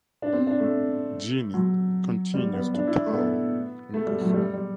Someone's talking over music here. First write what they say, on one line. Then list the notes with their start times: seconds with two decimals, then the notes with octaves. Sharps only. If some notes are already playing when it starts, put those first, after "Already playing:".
Jeannie continues to tour and perform.
0.22 D4
0.33 C4
0.47 D4
0.60 A3
1.54 F#3
2.34 G3
2.53 B3
2.74 D4
2.87 E4
3.06 A3
3.13 B3
3.94 A3
4.07 G3
4.21 F#3
4.29 A3
4.34 G3
4.54 G3